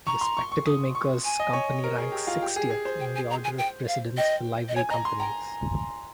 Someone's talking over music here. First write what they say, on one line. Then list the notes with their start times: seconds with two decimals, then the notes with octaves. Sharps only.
The Spectacle Makers' Company ranks sixtieth in the order of precedence for Livery Companies.
0.07 A#5 C#6
0.21 C6
0.37 C#6
0.52 C#6
0.66 D#6
0.95 C#6
1.24 G#5
1.40 D#5
1.53 C#5
1.84 A#4
1.98 G#4
2.12 G4
2.27 F4
2.42 G4
2.56 G#4
2.70 G#4
2.85 C5
3.00 G5
3.15 G#5
3.30 A#5
3.44 G#5
3.58 G5
3.88 F5
4.17 D#5 G5
4.69 D#5
4.76 C#5 G#5
4.90 D#5 A#5
5.05 C6
5.19 G5 A#5